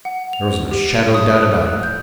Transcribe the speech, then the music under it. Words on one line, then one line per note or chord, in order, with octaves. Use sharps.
There wasn't a shadow of doubt about it.
F#5
F7
G4
D#6
F#6
G6